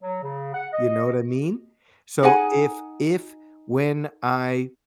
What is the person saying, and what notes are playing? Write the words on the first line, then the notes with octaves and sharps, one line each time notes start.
You know what I mean? So if if when I
F#3
C#3
F#5
D#5
D#4 G#4 F#5 G#5